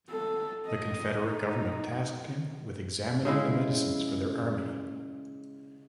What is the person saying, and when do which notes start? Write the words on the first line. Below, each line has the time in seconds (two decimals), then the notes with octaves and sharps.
The confederate government tasked him with examining the medicines for their army.
0.10 A4
0.66 D#5
1.23 D#4
3.25 C#3 G#3 E4